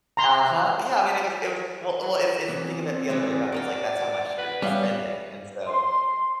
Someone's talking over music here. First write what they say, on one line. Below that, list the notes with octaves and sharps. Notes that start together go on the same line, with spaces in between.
Uh-huh, yeah, I mean, it was it was, well well, it's it's, think of it the other way around, it's like that's how much you're spending, and so,
A#5 C6
E2 E3 C4
E3 G3 G#3 D5
F#4 A#4 D5 F#5 G5
B4
G3 B3 C#4 E5 F5
C6